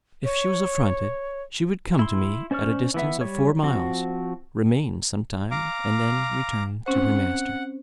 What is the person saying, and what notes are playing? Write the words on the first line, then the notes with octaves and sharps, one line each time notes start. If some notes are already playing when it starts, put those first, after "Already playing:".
If she was affronted she would come to me, at a distance of four miles, remain some time, and then return to her master.
C#5
E4 C6
C#4 C5 D5 C#6 F6
E3 B3 E5
G3 C#5
F3 C4 F#4
F5 A#5 D6
C4 C#4 C5 F#5